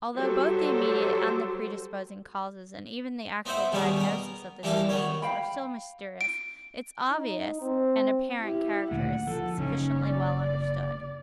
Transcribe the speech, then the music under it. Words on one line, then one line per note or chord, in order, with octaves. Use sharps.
Although both the immediate and the predisposing causes, and even the actual diagnosis, of this disease are still mysterious, its obvious and apparent character is sufficiently well understood.
F#3 G3 G4 A4 C5
B3 C4 D#4 C5 E5 F#5
B2 D#3 G3 B3 C#4 G#4
B3 A#4
E3 G3 A#3 A4 A#4
D#3 B3 C#5
F5 G5 B5
D7
D#4
C4
E4 G4
D2 A#2 C#3 F#5
F3 A4
F#1 C#3 C#4 D#4
D5